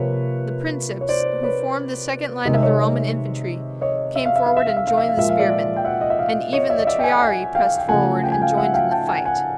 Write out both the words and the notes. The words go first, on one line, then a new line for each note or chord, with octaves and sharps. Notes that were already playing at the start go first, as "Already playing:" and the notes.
The principes, who formed the second line of the Roman infantry, came forward and joined the spearmen, and even the triarii pressed forward and joined in the fight.
Already playing: C3 F3 A#3 B4 C#5
C#5
C5 D5
B4 C#5
C3 D#3 G#3 D#5
E5
C#5 D#5
C#5 D#5
E5
F5
E5
F5
E5
F5
E5
F5
E5
F5
A#2 F3 G#3 E5
F5
D5 E5
G5
E5 F#5
D#5
E5
D#5 F5
C#5 D#5
D5 E5
D#5
D5 E5
G5
F#5 G#5
F#5 G#5
F5 G5
G5
C#3 F3 A3 F#5 G#5
G5
G#5
F5 G5
E5 F#5
F5 G5
G5 A5
F#5 G#5
F#5 G#5